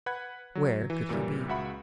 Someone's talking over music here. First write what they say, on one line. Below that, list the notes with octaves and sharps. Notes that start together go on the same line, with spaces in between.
Where could he be?
B4 F#5 B5 F#6 G#6
F#3
E3
F#2 A#2 E3 G3
C#2 F#4 E5 F#5 B5